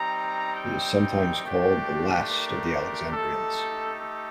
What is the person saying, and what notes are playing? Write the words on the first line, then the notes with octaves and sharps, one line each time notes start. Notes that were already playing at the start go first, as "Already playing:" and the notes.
He is sometimes called "the last of the Alexandrians".
Already playing: G3 C4 D#4 A#5
G5
A3 D4 G4
A#4
A3 D#4 G4 A4
A4